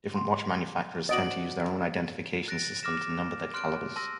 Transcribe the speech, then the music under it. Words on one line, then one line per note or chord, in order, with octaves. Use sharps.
Different watch manufacturers tend to use their own identification system to number their calibers.
C6
D4 F#4 C5 D#5 A6 D7 F#7
F#6 A6 A#6 D7
D6 F6 A#6 E7
C6 F6 F#6 D7
A5 C6 E6 A#6